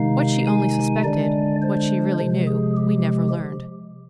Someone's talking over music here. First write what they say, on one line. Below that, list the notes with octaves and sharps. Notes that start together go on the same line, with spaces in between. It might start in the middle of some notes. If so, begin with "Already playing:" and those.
What she only suspected, what she really knew, we never learned.
Already playing: C3 D#3 G#3 D#4 F5
G#5
D3 G#3 D4 D5
C5
C3 F3 G#3
G#4
G4